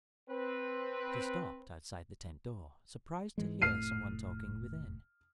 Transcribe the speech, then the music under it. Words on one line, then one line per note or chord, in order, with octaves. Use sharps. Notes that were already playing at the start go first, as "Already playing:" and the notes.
But he stopped outside the tent door surprised to hear some one talking within.
C4 B4
G#2 E3 G#3
F1 A2 A3 F6 C7 D#7